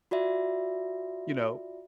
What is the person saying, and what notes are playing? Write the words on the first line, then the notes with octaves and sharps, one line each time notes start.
you know,
F4 F#4 D5 E5